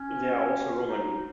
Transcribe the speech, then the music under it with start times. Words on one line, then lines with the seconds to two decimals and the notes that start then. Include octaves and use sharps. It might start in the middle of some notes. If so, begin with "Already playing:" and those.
There are also Romani.
Already playing: C#4
0.88 D#4